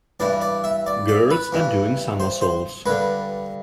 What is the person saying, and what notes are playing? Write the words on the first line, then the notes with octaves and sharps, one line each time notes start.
Girls are doing somersaults.
G2 E3 D5
D5
E5
D5
D5
B4
G2 E3
C5
C5
G2 D3 B4